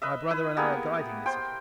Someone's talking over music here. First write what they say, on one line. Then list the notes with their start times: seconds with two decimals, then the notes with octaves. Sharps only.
My brother and I are guiding this affair.
0.02 B4 D#5 E5
0.31 E4 B4
0.57 A#3 B3 G4 G#4
1.25 C5 G5 C6